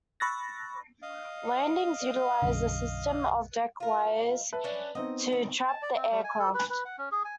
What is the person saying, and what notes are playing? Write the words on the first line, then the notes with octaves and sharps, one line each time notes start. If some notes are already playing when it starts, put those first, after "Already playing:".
Landings utilised a system of deck wires to "trap" the aircraft.
B5 C#6 E6 F#6 A6 A#6
D#5 F5
B1 F#2 D3
F4 A#4
B4 E5 A5
C#4 D4 G#5
B3 C4 D#4 D#5
D#3
A5
D5
C4
G3
G#5
A4
B4
B4
F#5
C#4
G#4
G#5